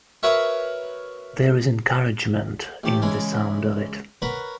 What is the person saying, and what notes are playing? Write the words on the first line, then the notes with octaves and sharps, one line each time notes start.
There is encouragement in the sound of it.
F#4 A#4 B4 C#5 E5
A1 G4 A5
C#3 E3 G#3
A#4 B4 C#5 F#5 B5